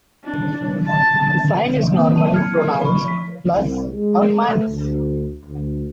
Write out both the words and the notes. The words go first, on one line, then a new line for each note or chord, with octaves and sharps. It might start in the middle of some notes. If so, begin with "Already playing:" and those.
The sign is normally pronounced "plus or minus".
D4
A5
D#3 A#3 C4 D#6
F#3 A5 D#7
F6 G#6 C#7
E4 E5
B5 C#6
F3 B6
C2
G#3
A3
D2
D2